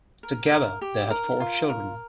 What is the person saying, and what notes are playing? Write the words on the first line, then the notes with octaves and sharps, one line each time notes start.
Together they had four children.
A#4
A#4
G4
A#4
F4
A#4